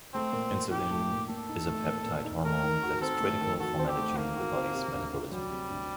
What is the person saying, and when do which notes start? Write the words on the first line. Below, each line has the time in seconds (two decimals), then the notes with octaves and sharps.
Insulin is a peptide hormone that is critical for managing the body's metabolism.
0.14 A3 C4
0.33 A#2
0.52 A#2
0.71 D#4 G4
0.91 A3
1.11 A#2
1.29 A#2 A4
1.49 D#4
1.67 A3
1.87 A#2
2.06 A#2
2.25 D#4
2.44 A3 A#4
2.63 D#3
2.83 F#4
3.01 C4 A4
3.20 A3
3.41 D#3
3.60 F#4 A4
3.79 C4
3.88 G4
3.98 A3
4.17 D#3 A#3
4.36 F#4
4.55 C4
4.74 C3
4.94 D2
5.12 D2
5.31 F#3 G3
5.51 C3
5.70 D2